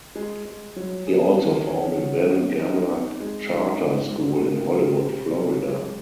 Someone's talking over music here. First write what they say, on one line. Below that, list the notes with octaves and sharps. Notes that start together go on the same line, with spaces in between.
He also founded Ben Gamla Charter School in Hollywood, Florida.
G#3
G#3
F#3
G#4
D#3
C#4
F#4
F#3
D#4
C4
G#3
D#4
G#2
G#2
A#3
C#3
C3
F#3
G#3